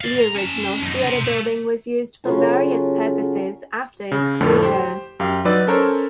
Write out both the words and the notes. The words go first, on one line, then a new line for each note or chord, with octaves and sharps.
The original theater building was used for various purposes after its closure.
D5 F5
A#5
C#4 A5
F#2 D#4
C3
A3
C#3 F#3 F4 A4
C#3
F2 A2 D3 F3 A3
G4 C5
F#2 G4 F5
F#3 D#4 B4 D5 E6
C#4 A4 A#4 C5 C#5